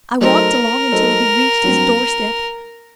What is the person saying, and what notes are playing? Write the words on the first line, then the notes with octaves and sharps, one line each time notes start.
I walked along until he reached his door step.
F#3 A3 D#4 A4 A#4 C5
F#3 A3 D#4 A4 C5
G2 F#3 C4